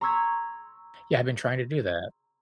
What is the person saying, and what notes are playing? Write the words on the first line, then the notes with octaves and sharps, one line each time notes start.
Yeah, I've been trying to do that.
A#5 C6 C#6 E6 G#6 B6